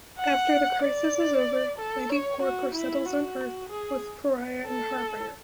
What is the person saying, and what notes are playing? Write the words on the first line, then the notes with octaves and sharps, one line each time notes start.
After the Crisis is over, Lady Quark resettles on Earth with Pariah and Harbinger.
F#5
D5
A4
C#5
F#4
E4
F#4
G#4
A4